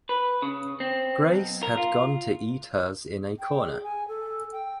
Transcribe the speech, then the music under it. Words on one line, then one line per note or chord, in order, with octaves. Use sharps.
Grace had gone to eat hers in a corner.
B4
C#3
C4
B1
A#4
F4
G5
G#4
G#5
A4
G5